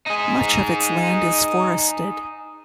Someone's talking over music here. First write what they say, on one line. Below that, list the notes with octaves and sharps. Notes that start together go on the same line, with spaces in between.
Much of its land is forested.
D#4 G#4